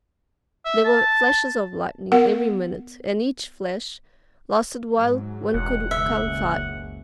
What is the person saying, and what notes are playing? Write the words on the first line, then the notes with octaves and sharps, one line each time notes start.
There were flashes of lightning every minute and each flash lasted while one could count five.
E5
A5
B3 A#4 F#5
G#2 F#3
E1 F#5
F#1 C#2 E5